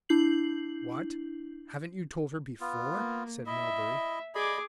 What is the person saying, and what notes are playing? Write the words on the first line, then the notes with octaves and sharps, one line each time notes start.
"What! haven't you told her before?" said Melbury.
D4 E4 G6 C7 F#7
B3 F4
A#3
E4 D#5 E5
G#4 D5 D#5 B5 D6